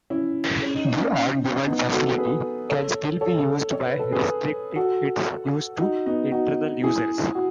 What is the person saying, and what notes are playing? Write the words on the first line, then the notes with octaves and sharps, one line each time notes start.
The on-demand facility can still be used by restricting its use to internal users.
C#4 E4
C#4
D#4
C#4
C#4
B3 D#4
F#4 A4
G#4 B4
A4 C#5
A4 C#5
C#5
B4
A4
G#4 B4
F#4 A4
D#4 F#4
B3 D#4
D#4 F#4
E4 G#4
F#4